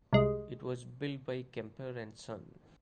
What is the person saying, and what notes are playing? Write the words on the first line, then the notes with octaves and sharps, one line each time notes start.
It was built by Kemper and Son.
C2 G#3